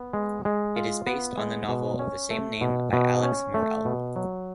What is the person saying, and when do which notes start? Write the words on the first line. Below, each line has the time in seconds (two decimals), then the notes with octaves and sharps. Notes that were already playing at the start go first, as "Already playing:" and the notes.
It is based on the novel of the same name by Alex Morel.
Already playing: B3
0.13 G#3
0.45 G#3
0.76 F4
1.07 B3
1.38 G#3
1.68 B2
1.99 C#4
2.30 A3
2.61 B2
2.93 B2
3.23 C#4
3.54 A3
3.85 B2
4.16 F#3